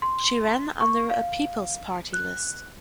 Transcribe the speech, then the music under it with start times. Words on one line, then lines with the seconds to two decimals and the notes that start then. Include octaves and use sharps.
She ran under a People's party list.
0.02 C6
0.81 C#6
1.10 F5
2.13 F#6